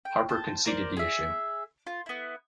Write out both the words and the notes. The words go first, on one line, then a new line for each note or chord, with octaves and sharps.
Harper conceded the issue.
G5
C5 A5
A#4 C5 D5
G#4 E5
F4
B3 E4